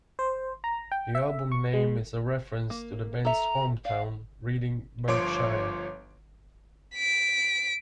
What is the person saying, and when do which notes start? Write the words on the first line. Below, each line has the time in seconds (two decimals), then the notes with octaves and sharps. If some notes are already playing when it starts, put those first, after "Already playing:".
The album name is a reference to the band's hometown, Reading, Berkshire.
0.19 C5
0.64 A#5
0.92 G5
1.15 E5
1.52 C#6
1.73 G#3
2.70 A#3
3.25 A4 E5 A#5
3.85 D5 F5
5.08 G1 F3 C#5 C6 D6 D7
6.95 B6 D7